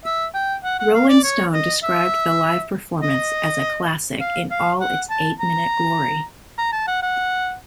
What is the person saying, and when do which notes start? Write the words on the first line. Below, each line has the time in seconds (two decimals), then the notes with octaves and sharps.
"Rolling Stone" described the live performance as "a classic in all its eight-minute glory".
0.05 E5
0.34 G5
0.64 F#5
0.79 F#5
0.95 F5
1.09 D5
1.23 C#5
1.54 D#5
1.83 E5
3.02 D#5
4.20 F5
4.51 F5
4.81 F#5
5.10 A5
5.40 A#5
6.58 A#5
6.72 A5
6.88 F#5
7.02 F#5